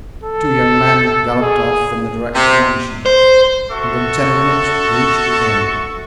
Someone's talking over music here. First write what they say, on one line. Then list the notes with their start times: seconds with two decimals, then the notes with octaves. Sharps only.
The two young men galloped off in the direction mentioned and in ten minutes reached the inn.
0.23 A4
1.42 G#4
2.35 C3
3.06 C5
3.71 F#4 A4 E5 C#6